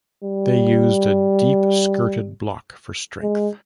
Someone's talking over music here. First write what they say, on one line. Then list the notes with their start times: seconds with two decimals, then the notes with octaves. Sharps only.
They used a deep skirted block for strength.
0.23 G3
3.22 G#3